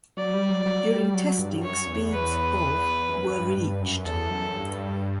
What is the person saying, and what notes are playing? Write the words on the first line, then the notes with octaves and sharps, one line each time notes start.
During testing speeds of were reached.
F#3 D5
G3
F#3
F#3
G3
F#3
G2
F#2 C#5
E2
B4
F#2
G2
G2
F#2
E2 A4
F#2
G2